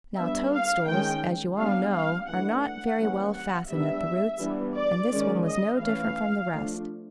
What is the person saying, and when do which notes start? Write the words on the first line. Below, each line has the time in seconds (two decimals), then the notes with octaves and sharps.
Now toadstools, as you all know, are not very well fastened at the roots, and this one was no different from the rest.
0.18 G3 B3 D4 E5
0.54 F5
0.89 D#3 G#3 C#4 G5
1.59 G3 B3 D4 F5
1.94 F5
2.29 E3 A3 D4 F#5
2.64 F#5
2.99 E3 G3 A#3 C#4
3.35 F#5
3.69 G3 B3 D4 E5
4.40 E3 G3 B3 D4
4.75 D5
5.10 D#3 G#3 C#4
5.46 D#5
5.81 E3 A3 C#4 F5
6.51 F3 A3 D4